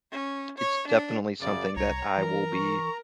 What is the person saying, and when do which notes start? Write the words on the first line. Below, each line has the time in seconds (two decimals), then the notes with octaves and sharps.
it's definitely something that I will be
0.12 C#4
0.58 C#5
0.88 D4
1.40 F#2 C#3 D5
1.77 C2 C#5 A#5
2.18 E3 A#4
2.53 C#6